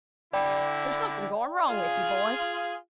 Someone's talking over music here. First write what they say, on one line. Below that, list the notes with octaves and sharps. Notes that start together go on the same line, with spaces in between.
There's something going wrong with you, boy.
D3 E4 D5 G5 B5
F4 G#4